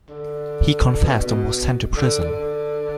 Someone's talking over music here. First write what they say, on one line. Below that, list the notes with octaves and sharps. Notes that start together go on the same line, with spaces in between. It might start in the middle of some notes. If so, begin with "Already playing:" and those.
He confessed and was sent to prison.
D3
B2
B2
D3
D3